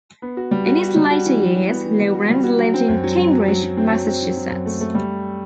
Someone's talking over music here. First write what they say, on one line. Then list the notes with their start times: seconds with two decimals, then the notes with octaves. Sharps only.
In his later years, Lorenz lived in Cambridge, Massachusetts.
0.22 B3
0.37 F#4
0.51 G3
0.66 F#4
0.81 F#4
0.96 G3
1.10 F#4
1.25 E3
1.41 E3
1.55 E3
1.69 B3
1.85 E3
1.99 G3
2.14 F#4
2.30 G3
2.44 F#4
2.58 F#3
2.74 C4
2.88 F#2
3.04 F#3
3.17 F#3
3.33 F#3
3.48 F#3
3.63 F#3
3.77 C4
3.92 F#3
4.06 C4
4.22 F#3
4.37 F#3
4.51 F#2
4.66 A3
4.81 A3
4.95 G3